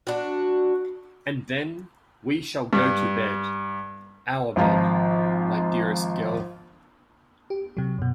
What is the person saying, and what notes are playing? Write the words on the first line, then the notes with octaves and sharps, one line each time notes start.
And then we shall go to bed, our bed, my dearest girl.
D4 F#4
G2
G#1 F3 F4 A#5
G4
C3 F#3
F#2 B2